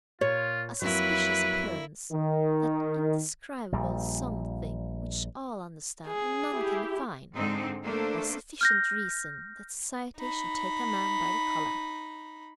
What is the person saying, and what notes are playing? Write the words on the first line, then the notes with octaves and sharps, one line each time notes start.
A suspicious appearance, that indescribable something which all understand and none can define, was sufficient reason that society should take a man by the collar.
A#2 F4 C#5
F2 G#2 F#3 A#3 E4 B4
D#3
A#1 A#2 G3
G#4
E4 G4
G#2 D3 G#3 C4 D#4
A3 A#3 D4 A4 C5
F6 G6 A#6
D#4 B5